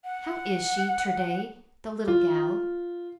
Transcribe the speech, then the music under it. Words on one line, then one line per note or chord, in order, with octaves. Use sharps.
"How is she, ter-day--the little gal?"
F#5
F4